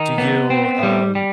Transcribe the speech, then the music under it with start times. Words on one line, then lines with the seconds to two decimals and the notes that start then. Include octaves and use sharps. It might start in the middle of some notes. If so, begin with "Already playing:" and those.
Do you, um,
Already playing: D#3 D#4
0.18 B3
0.50 C4
0.83 G3
1.15 G3